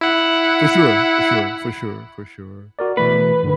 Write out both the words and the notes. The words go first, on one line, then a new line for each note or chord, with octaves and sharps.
For sure, for sure, for sure, for sure.
E4 F#5
F#4 A#4 D5
B2 E3 A3 B4
G2 D3 D#3